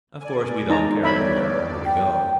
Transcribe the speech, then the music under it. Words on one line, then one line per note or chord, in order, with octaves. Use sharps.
Of course we don't carry it wherever we go.
D5 G#5
G#3 D#4 A5 A#5
E2 G2 C#5 D5 E5 B5
G5